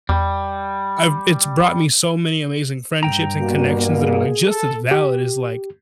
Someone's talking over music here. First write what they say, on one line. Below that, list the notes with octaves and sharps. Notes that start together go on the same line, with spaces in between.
I've it's brought me so many amazing friendships and connections that are like just as valid as, like,
E2 G3
G2 G5 A#5
B2 G3 A#3 F#4
G#4
A4
G4